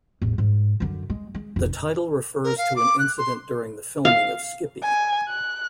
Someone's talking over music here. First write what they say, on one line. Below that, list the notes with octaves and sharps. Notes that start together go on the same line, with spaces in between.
The title refers to an incident during the filming of "Skippy".
A1 E2
G#2
F#2 D3
G#3
G#3
F1 D#4
A#4
F5
D6
F#6
C6
F5
G#5
F#6